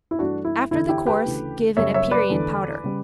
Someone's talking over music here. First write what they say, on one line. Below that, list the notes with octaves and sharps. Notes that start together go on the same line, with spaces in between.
After the course give an aperient powder.
E4
G2 E3 A3 D4 F#4
E4
E2 D3 A3 E4
E4 G4
G4 B4
D2 C#3 E3 A3
F#2 C#3 G3 C#5 E5
C#5 E5
B4 D5
E2 D3 A3
C#3 G3